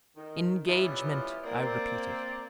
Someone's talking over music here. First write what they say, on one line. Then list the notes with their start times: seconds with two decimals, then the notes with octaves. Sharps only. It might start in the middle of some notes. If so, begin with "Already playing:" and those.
"Engagement," I repeated.
0.16 D#3
0.67 E3 G3 B3 C#4 E4 F4
1.44 A#3 C4 D5